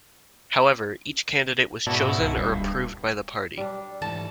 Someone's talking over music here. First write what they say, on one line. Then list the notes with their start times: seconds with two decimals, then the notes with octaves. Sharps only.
However, each candidate was chosen or approved by the Party.
1.87 G#2 B2 E4 F#4 D5 A5
2.20 C#2
2.37 D#1 G2
3.57 G3 D4
4.02 G#2 E3 A3 A5